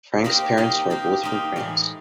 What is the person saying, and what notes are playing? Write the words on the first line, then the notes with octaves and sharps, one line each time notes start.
Frank's parents were both from France.
A#3 D#4 G4 C5
A#3 D#4 G4 C5
A#3 D#4 G4 C5
A#3 D#4 G4 C5
A2 E3 G#3